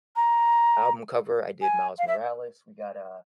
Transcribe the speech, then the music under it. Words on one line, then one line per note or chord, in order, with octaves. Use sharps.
album cover. I did Miles Morales. We got, uh,
A#5
G#5
F5
E5